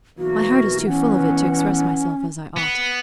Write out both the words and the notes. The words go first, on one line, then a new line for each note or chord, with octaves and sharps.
My heart is too full of it to express myself as I ought.
B1 E3 A#3 F#4
E3 B3 C#4 F#5
B3